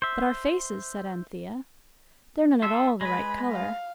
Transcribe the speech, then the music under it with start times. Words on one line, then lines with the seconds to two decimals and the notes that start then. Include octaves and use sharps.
'But our faces,' said Anthea, 'they're not at all the right colour.
0.02 C5 E5
2.62 F4 A4 E5
3.01 G#3 B4 B5
3.52 F5